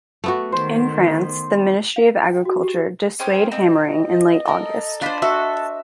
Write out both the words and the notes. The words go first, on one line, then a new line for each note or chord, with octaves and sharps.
In France, the ministry of agriculture dissuade hammering in late august.
A3 B3 F#4
D#3 C5
F5
G5
F#4
G4
C#4 C5 G5 D#6
C4 D#5
A4 A#4
D4 F4 C5 D5 B5
F#4 A4 E5